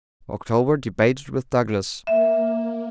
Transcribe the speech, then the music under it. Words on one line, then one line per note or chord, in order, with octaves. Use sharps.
October, debated with Douglas.
A#3 E5